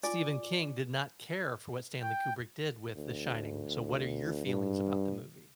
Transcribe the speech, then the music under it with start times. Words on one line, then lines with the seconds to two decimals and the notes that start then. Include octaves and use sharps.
Stephen King did not care for what Stanley Kubrick did with The Shining, so, what are your feelings about the movie?
0.03 F4 D5 G#5
2.01 G5
2.96 D2
4.46 G2